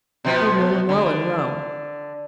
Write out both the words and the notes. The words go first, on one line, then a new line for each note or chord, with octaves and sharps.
He had known him well in Rome.
B2 F3 B3
D3